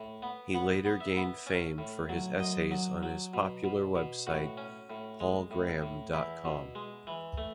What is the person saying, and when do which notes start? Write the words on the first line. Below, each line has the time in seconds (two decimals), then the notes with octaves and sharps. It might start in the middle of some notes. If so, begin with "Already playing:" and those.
He later gained fame for his essays on his popular website paulgraham dot com.
Already playing: A2
0.22 B3
0.54 B3 F#5
0.85 B3
1.00 E5
1.17 B3
1.47 C#4
1.78 A2
2.09 F#3
2.40 F#2 D#5
2.71 F#3
3.03 F#3
3.34 B2
3.64 B2
3.95 B2
4.27 A2 F#4
4.57 C#4
4.90 A2
5.20 G#3
5.51 A2
5.82 A2
6.13 E2 E4
6.45 B2
6.75 G#3
7.07 E3
7.38 A3